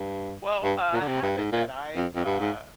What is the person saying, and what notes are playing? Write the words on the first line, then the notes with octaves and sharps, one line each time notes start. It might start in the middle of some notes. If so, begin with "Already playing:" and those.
Well, a habit that I, uh,
Already playing: G2
G2
A#2
D3
C3
G2
G#2
A#2
F2
F2
G2
G#2